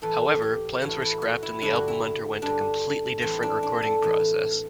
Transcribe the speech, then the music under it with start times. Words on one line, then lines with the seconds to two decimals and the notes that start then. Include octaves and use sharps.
However, plans were scrapped and the album underwent a completely different recording process.
0.02 A2 E3 A4
0.42 G4
0.82 A2 E3 F#4
1.02 E4
1.22 F#4
1.43 E4
1.62 G2 D3 E4
1.76 F#4
1.88 E4
2.42 G2 D3 D4
3.22 A2 E3 C4
3.43 D4
3.63 D4
3.82 A4
4.03 A2 E3